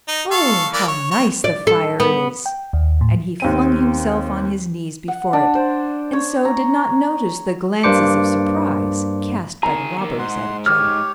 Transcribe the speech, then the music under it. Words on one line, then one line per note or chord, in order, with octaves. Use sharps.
Oh, how nice the fire is!' And he flung himself on his knees before it, and so did not notice the glances of surprise cast by the robbers at each other.
D#4
A4 F5 C#6
E3 A#3 D5
C#5
C#5
D5
A4
B3
G5
D#2
A2
D#2 C4 D#7
F#5
D4
C5
C#5
A#5
G2 A#3 D4 C5 D6 C#7
D#3 G#4 A#5
D#3 A#3
G#2 F#5 C6
G4 C#5 F6